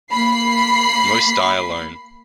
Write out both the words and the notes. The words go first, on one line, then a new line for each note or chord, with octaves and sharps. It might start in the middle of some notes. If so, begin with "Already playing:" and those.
Most die alone.
A#3 B5 C7